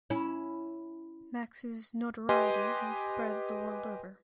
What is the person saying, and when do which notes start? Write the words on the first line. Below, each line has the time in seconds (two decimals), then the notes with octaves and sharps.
Max’s notoriety has spread the world over.
0.10 C#4 E4
2.29 G4 B4 D#5 G#5 C6